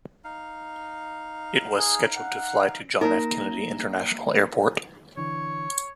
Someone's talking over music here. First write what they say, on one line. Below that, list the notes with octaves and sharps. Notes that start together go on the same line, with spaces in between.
It was scheduled to fly to John F. Kennedy International Airport.
D#4 F5
G#4
F#5
A#3 D#4 A#4 A#5 A#6
D3 E3 C#5